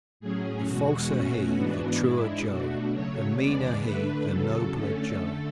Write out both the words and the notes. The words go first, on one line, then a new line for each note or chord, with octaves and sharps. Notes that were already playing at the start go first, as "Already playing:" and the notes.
The falser he, the truer Joe; the meaner he, the nobler Joe.
A2 F#3 C#4 G#4
E2 B2 G#3 F#4
B2 A3 C#4
G#2 E3 B3 D4
G#2 G#3 D4 E4
B2 A3 D4 F#4
C#3 F#3 A3 C#5
E2 C#3 G#3 B3 D4 D5
D3 A3 D4 B4
E2 C#3 F#3 A4
D3 A3 C#4 A4
D3 A3